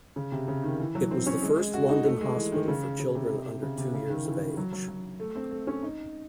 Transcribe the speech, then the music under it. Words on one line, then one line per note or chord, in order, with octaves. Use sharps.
It was the first London hospital for children under two years of age.
C#3
C3
C#3
D#3
E3
F#3
C4
C#4
G#3
G#3
F#4
D#4
A3
G#3
E3
D#3
C#3
C#3
C3
C#3
C3
C#3
D#3
E3
E3
F#3
F#3
F#3
A3
C4
A3
C#4
D#4